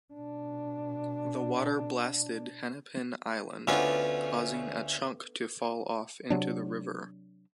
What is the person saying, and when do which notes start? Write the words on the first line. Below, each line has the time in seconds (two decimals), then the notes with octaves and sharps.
The water blasted Hennepin Island, causing a chunk to fall off into the river.
0.14 B2 D4
3.67 D2 A3 B3 C#4 D4 F4
6.30 C3 F#3 D4